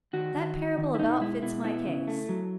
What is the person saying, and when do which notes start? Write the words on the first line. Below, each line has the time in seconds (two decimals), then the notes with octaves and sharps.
That parable about fits my case.
0.13 D#3 F#4
0.35 D#3
0.57 D#3
0.78 D#3
0.95 E4
0.99 B2 D#4
1.21 G#3 E4
1.42 B2 E4
1.64 B3 E4
1.86 C#3
2.07 A3
2.29 F#3